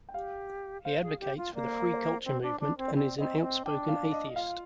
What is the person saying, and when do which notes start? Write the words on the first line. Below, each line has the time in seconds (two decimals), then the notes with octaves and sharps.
He advocates for the Free culture movement and is an outspoken atheist.
0.09 G5
0.14 G4 F5
0.85 C5 F5
1.02 G#4
1.20 G4
1.37 F4
1.54 A#3 D5
1.67 C5
1.80 A#4
1.94 C5
2.25 C4
2.42 D4
2.60 D4
2.78 C4
2.88 C5
2.95 C4 D5
3.18 C4 D#5
3.42 C4
3.65 D4 G5
3.88 F5
4.12 D#5
4.35 F4 F5